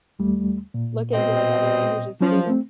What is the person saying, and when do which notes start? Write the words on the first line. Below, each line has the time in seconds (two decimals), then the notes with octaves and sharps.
look into, like, other languages too.
0.19 D#2 G3 A3
0.74 A#2
1.14 B2 C4 D#5
2.21 F3 F#3 C#4
2.47 A3 C4